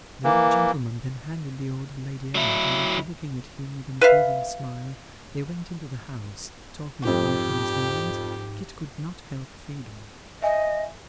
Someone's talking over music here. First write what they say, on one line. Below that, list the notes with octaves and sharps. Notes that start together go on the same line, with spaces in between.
The old gentleman then handed the old lady out, and after looking at him with an approving smile, they went into the house--talking about him as they went, Kit could not help feeling.
E3 A#3
F#3 E4
B4 E5 F5
F2 G#2 F3 G4
D#5 E5 G#5